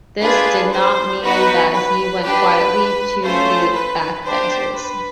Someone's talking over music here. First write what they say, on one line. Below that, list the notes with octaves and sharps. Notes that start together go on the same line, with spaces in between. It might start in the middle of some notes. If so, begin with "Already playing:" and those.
This did not mean that he went quietly to the backbenches.
D4 F4 G#4 B4
C5
B3 D#4 F#4 B4
B4
D4 G4 B4
A3 C#4 F4 C5
B4
D4 G4 C5
B4